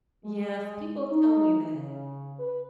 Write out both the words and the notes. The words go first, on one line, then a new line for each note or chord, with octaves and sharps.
Yes, people tell me that.
G#3
D#4
C#3
B4